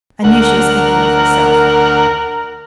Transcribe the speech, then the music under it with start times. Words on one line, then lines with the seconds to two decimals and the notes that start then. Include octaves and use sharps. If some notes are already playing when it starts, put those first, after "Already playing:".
I knew she was thinking of herself.
0.24 D2 A#4 F#5